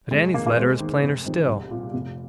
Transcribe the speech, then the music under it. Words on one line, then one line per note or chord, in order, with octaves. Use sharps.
But Annie's letter is plainer still.
F1 G#3
F2 D#3 A#3
A#3
D#2 G#3 C4
D#3
F1
F2 C3 D#3
C2
A#2
F1